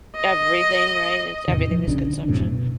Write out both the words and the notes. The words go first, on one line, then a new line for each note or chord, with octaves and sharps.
everything, right? It's everything is consumption.
D#5
E2 A2 C3 D#3
F3
A#1 C#3 C#4 D4
D3 D4
D1 F#2 A2 C3
B2